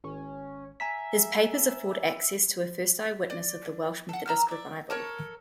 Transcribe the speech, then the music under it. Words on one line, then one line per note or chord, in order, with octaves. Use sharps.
His papers afford access to a first eye witness of the Welsh Methodist revival.
G#1 C#4
E5 G#5 A#5 B6
D5
A4 F#5
A#5 E6 F6
D5 E5
A4 A#4 C#5